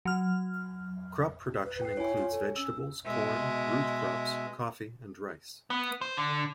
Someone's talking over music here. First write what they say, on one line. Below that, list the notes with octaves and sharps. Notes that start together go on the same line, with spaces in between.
Crop production includes vegetables, corn, root crops, coffee, and rice.
F#3 F6
B4
G5 C7
E4 C#5 G#5
F4
A4
C#4 E6
B2 G#3 E5
B3
C5
D3